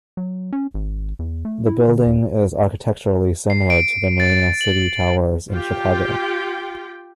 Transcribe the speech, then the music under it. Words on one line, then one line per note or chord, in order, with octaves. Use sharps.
The building is architecturally similar to the Marina City towers in Chicago.
F#3
C#4
G#1
E2
A3
E4
D3
D#2
C7
D7
A6
F#7
F4 G4 G5